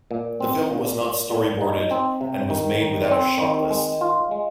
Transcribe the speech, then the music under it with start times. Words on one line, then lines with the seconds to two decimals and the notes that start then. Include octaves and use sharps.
The film was not storyboarded and was made without a shot list.
0.11 A#2
0.40 C4
0.70 A#2
1.01 A#2
1.31 A#2
1.61 D#4
1.91 C4
2.21 C3
2.50 D#3
2.81 D#3
3.11 C4
3.41 D#3
3.70 G#3
4.01 F4
4.31 G#3